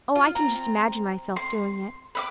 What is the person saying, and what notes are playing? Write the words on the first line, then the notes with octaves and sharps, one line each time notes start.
Oh, I can just imagine myself doing it.
F4
C4 A#5
C6
B4 E5 D6